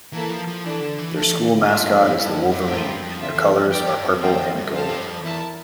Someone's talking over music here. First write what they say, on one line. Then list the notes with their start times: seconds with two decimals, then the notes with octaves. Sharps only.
Their school mascot is the wolverine, and their colors are purple and gold.
0.13 E3 A#3 E4 A4 E5 A5
0.30 F3
0.47 F3
0.64 E3 D4 A4 D5 A5
0.80 D3
0.99 E3
1.15 F3 A3 D4 A4
1.32 E3
1.49 D3
1.66 A2 A3 D4 F4 A#4 E5
1.78 G2
1.91 F2
2.05 G2
2.17 G2 A3 E4 A4
2.34 F2
2.51 G2
2.68 A2 F4 A#4 E5 G5
2.85 G2
3.02 F2
3.19 F4 A4 E5
3.35 E2
3.53 F2
3.69 F2 G4 D5 G5
3.86 G2
4.04 F2
4.20 E2 A3 C4 F4 C5 G5
4.37 F2
4.55 G2
4.71 F2 F4 A4 C5 F5 A5
4.89 G2
5.05 F2
5.22 E2 E4 A#4 E5 A5